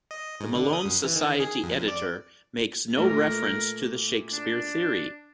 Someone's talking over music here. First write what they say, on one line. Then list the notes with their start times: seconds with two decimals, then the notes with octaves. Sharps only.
The Malone Society editor makes no reference to the Shakespeare theory.
0.11 D#5
0.40 G#2
0.55 D3
0.73 D#6
0.85 F#2
1.04 E3
1.16 D#3
1.40 G#4
1.63 F2
1.88 D5
2.97 A#2 A3 A#4
4.32 D4